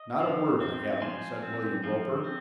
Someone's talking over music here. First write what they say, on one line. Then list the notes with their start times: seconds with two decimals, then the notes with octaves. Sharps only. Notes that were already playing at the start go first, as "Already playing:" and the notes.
"Not a word, I haven't," said William Roper.
Already playing: D#5
0.20 F3
0.60 C4
1.02 F3 G#5 C6
1.42 C4
1.84 F3
2.24 C4